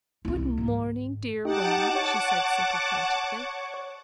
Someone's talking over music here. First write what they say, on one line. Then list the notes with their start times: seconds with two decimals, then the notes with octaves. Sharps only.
"Good morning, dear one," she said sycophantically.
0.25 C2 E4
0.58 G#2 D#3
1.45 D#4 G4 F#5 A5 D6
1.95 C#5